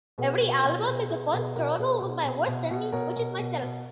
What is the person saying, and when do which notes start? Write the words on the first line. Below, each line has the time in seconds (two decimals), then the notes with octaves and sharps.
Every album is a fun struggle with my worst enemy; which is myself.
0.18 B2 G#4 B4
0.41 B2
0.48 F#4 A#4
0.64 B2
0.79 F4 G#4
0.88 B2
1.10 B2 G#4 B4
1.32 B2 G#4 B4
1.55 B2 F#4 A#4
1.67 C#5
1.79 B2 G#4 B4
2.01 B2
2.24 B2
2.47 B2
2.70 B2
2.92 B2 A#4 C#5
3.16 B2
3.38 B2
3.62 B2